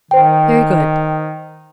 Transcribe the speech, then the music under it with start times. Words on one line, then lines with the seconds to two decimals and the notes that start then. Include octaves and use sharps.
"Very good."
0.11 D#3 C5 G5